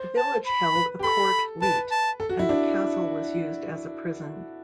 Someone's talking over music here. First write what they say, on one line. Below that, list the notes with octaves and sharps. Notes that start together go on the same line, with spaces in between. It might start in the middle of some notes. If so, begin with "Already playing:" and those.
The village held a court leet and the castle was used as a prison.
Already playing: C5
A5
B5
B4
G4
A4 B5
B4 A5
A5
A4
F#4
E4
D4